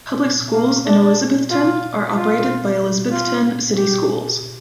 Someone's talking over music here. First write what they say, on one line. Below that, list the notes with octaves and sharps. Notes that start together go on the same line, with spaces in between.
Public Schools in Elizabethton are operated by Elizabethton City Schools.
A#3
D4
F4
F4
F4
G4